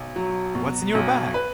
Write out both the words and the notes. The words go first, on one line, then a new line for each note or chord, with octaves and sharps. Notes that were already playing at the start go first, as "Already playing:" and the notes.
What’s in your bag?
Already playing: B1
F#3
B2
B1
B4